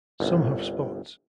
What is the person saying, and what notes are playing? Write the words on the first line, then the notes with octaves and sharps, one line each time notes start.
Some have spots.
G1 C2